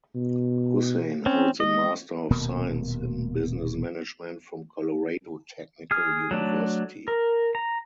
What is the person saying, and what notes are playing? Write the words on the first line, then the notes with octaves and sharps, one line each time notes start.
Hussain holds an Master of Science in Business Management from Colorado Technical University.
B2
C4 C#4
G#3 D#5
D#1 B2 A#3
G#4 F6
F#3 A3 D4
A#4
A#5